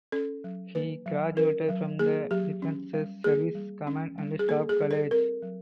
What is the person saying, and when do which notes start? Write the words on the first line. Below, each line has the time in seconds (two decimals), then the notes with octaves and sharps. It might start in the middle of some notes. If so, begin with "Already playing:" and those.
He graduated from the Defence Services Command and Staff College.
0.12 C#4 A4
0.44 F#3
0.75 A#3 B4
1.06 F#3
1.37 C#4 A#4
1.69 F#3
1.99 A#3 G#4
2.31 F#3 G4
2.62 C#4
2.93 G3
3.24 A#3 G#4
3.55 G3
3.87 C#4
4.18 G3
4.39 G#4
4.49 A#3 A4
4.69 G#4
4.80 G3
4.91 A4
5.11 C4 A#4
5.42 F#3